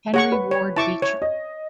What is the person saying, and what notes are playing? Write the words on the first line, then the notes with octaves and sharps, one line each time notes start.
Henry Ward Beecher.
G#4 C#5 F#5 C#6
B4
C#5
E4 A5 C#6 D6
C#5
D#5